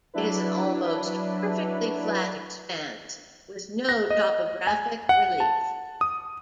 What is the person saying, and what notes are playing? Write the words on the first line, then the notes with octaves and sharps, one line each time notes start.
It is an almost perfectly flat expanse with no topographic relief.
F#3 D4 E4 B4
A#6
D#5
G#5
F#5
A5
D#6